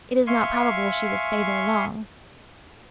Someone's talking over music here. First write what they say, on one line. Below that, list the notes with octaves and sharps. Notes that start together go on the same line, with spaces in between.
It is not probable she will stay there long.
E5 F5 G#5 C6 C#6